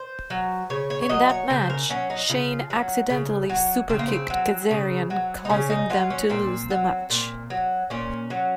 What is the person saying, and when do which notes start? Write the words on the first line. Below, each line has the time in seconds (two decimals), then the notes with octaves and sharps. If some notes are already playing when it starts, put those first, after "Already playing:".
In that match, Shane accidentally superkicked Kazarian, causing them to lose the match.
Already playing: C5
0.30 F#3
0.70 C#3 C#5
0.90 C#5
1.02 C#5
1.09 F#3 D#5
1.30 C#5
1.50 C#3 C5
1.70 A#4
1.90 F#3 C#4
2.10 D#4
2.30 C#3 F4
2.70 F#3
3.10 C#3
3.50 F#3
3.89 C#3 C4
3.99 A#3
4.08 C4
4.30 F#3
4.71 C#3
5.10 F#3
5.45 D#4
5.50 C#3 C#4
5.70 D#4
5.90 F#3 F4
6.10 C#4
6.30 A#2 C4
6.70 F#3
7.10 A#2
7.50 F#3
7.90 A#2 C#4
8.30 F#3